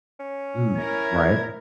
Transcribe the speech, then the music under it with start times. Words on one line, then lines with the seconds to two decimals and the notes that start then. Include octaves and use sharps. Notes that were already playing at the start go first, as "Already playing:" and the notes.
Mm, right?
0.20 C#4
0.77 E4 A#4 G#6